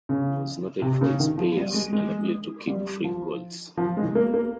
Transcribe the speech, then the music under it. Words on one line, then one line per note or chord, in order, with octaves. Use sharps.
He was noted for his pace and ability to kick freak goals.
C#3
C3
C#3
D#3
F3
G3
G#3
G#3
G3
F3
F3
G#3
A#3
A#3